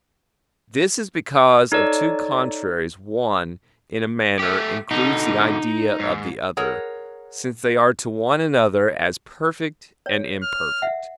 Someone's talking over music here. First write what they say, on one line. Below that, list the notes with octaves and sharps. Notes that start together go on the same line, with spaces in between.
This is because of two contraries one, in a manner, includes the idea of the other, since they are to one another as perfect and imperfect.
D#4 A4 C#5 D5
A3 G4
B2 D3 D#4
G#2
G#4 A#4 C#5 F#5
C#5
F6
E5 F#5